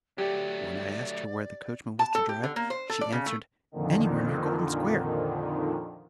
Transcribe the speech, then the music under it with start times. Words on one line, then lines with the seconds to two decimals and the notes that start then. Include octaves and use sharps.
When I asked her where the coachman was to drive, she answered, 'Anywhere near Golden Square!
0.18 F#3 A3 G4 D5
1.99 A5
2.15 A4
2.29 G4
2.43 D3
2.56 A#3
2.70 C5
2.90 A4
3.01 D5
3.12 C#3
3.26 A3
3.72 F2 A#2 D3 D#3